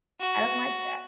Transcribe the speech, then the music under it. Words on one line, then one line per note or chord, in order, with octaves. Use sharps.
I don't like that.
F#4